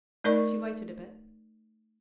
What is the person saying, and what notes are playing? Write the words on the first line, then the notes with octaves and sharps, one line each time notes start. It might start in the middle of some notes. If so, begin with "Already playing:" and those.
'She waited a bit.
A3 D#4 A#4 D5 D#5 C#6